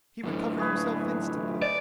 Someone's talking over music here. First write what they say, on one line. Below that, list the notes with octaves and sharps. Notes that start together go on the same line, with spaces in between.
He recovered himself instantly.
F#2 A2 D3 E3
A3 G#4 B4
D5